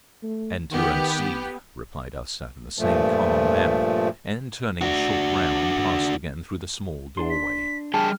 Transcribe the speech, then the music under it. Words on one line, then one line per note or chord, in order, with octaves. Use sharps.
"Enter and see," replied Arsat, in the same calm manner, and turning short round, passed again through the small doorway.
A3
D#3 B3 G4
G2 A#2 F3 A3
D4 F#4
D4 C6
B6
G3 G#4 G5 A5 F6